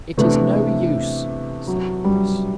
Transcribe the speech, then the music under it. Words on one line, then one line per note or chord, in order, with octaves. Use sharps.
"It is no use," said a voice.
C3 E3 A3 B3 D4
F#3
G3